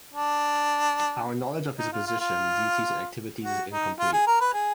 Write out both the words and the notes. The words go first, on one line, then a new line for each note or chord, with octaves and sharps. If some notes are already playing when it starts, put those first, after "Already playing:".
Our knowledge of his position, duties, and activities is incomplete.
D4
D#4
F4
F4
F4
F#4
D#4
F4
G#4
A#4
B4
G#4